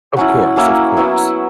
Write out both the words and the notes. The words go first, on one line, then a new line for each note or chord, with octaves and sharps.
Of course, of course.
F#3 C#4 E4 F#5
F#3 A#3 C#4 E4
F#3 B3 E4 E5